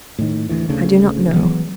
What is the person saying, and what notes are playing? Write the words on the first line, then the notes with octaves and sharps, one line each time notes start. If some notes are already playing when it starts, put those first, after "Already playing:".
I do not know.
A2 D#3
D2 E3
D2 C#3
E3 F#3 G#3 B3